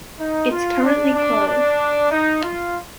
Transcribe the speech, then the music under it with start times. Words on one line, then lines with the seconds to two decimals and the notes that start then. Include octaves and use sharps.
It’s currently closed.
0.19 D#4
0.51 F4
0.83 D4
1.15 D4
1.47 D4
2.11 D#4
2.43 F4